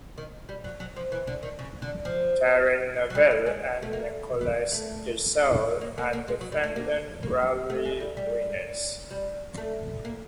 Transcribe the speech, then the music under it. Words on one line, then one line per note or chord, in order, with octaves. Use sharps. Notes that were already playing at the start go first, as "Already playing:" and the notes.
Thierry Neuville and Nicolas Gilsoul are the defending rally winners.
D#3
G3
F#3
F#3
F3
E3
D3
D#3
C#3
D3
F3
F#3
G3
G3
G#3
A3
A#3
B3
A3
A#3
A#3
A#3
G#3
F#3
G3
A3
A#3
A#3
A3
G#3
G3
G3
G3
A3
A#3